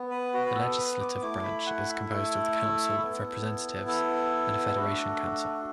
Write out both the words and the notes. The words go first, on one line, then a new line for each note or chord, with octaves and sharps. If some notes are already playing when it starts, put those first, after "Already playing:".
The legislative branch is composed of the Council of Representatives and a Federation Council.
Already playing: B3
B4
F#4
B4
A4
B4
D6
A3 E4 D6
B5
F#5
E5
A4
B3 E4
A4
A3 D4 F#4